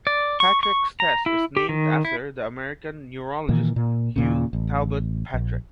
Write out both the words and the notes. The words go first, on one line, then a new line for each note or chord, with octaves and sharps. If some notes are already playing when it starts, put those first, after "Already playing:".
Patrick's test is named after the American neurologist Hugh Talbot Patrick.
D5
C#6
C#6
A#5
E4
G4
D#3
E4
A#2 D#3 E3 A#3
A#2
D#2 A#2 C#3
A1
A#1